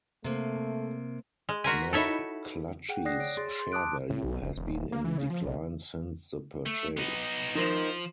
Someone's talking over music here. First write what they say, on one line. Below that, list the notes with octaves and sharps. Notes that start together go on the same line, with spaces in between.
McClatchy's share value has been in decline since the purchase.
C3 A3 A#3
G#3
F#4 A#4 G#5 C6 A#6 B6
D#4 E4 A4 C#5 E5 B5
G#4 F#5 G5
D5 D#6 F#6 A#6 C7
C#5 D7
G#4 C6 A6
C6
A5 D6 D#6 F#6 D7
A2
B1
F1
E1
D#1
A#3
E3
C#3
F3
B1
A3
B3 D#4
F3 D#4 A#4 C5